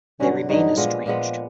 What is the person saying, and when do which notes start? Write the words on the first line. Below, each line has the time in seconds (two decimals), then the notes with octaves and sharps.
They remain estranged.
0.20 G2 D3 F#3 C#4
0.49 G2 D3 F#3 D#4
0.77 A#2 F3 G#3 B3
1.06 A#2 F3 G#3 B3